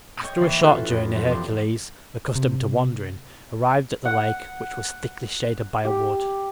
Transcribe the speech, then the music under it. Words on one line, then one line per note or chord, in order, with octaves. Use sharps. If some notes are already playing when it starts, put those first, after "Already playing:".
After a short journey Hercules, accustomed to wandering, arrived at the lake, which was thickly shaded by a wood.
C#5 D#5 G5 C#6 G6 G#6
E3 A#3 A6 C7
C#4 F4 F#4 A4 B4 C#5
F2
F3 B3 F4 A4
E1 G4 C6
C3
F#5
G4